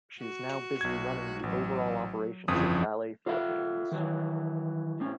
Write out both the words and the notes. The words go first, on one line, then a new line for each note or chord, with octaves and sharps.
She is now busy running the over-all operations of Ballet Philippines.
F#4
B1 G#6
A1 F#3
G1 F2 C#3 E3 F3 D#6
F4 A4 E5
D#3 E3 F#3
A2 C4 C#4